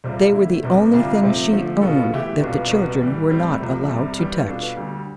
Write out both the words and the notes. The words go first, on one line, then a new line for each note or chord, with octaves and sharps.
They were the only things she owned that the children were not allowed to touch.
C2 C3 G3 C4 F4
D3 A3 E4
C2 C3 G3 B3
D2 C3 G3 D4 F4
C3 F3 A3
D3 F3 A3
B2 B3 F4 A4
E3 A3 E4 G4
C2 B2 B3 D4 F4
C2 B2 B3
A2 E3 G3
A2 G3 C4
C2 C3 F3 A3
C2 C3 G3
G2 E3 G3 B3
B2 B3 D4 F4 A4
D2 D3 G3